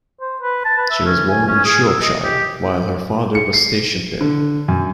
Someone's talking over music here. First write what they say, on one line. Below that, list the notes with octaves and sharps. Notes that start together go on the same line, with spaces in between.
She was born in Shropshire while her father was stationed there.
C5
B4
A5
B4
E5
C#4
G#5
C#4
G#4
E6
D#5
G4
C#7
C7
D3
F#2